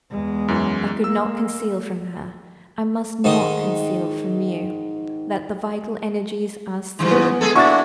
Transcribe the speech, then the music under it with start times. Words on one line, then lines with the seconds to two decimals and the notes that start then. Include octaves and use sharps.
I could not conceal from her--I must not conceal from you--that the vital energies are sinking.
0.11 E2 G#3
0.48 F#2 E3
1.04 A#3 E6
3.24 G#2 D#3 D#6
6.99 G#2 C#3 E3
7.11 B3
7.41 G#3 G#4 A4
7.56 A#3 D4 E4 F#4 C#6 A6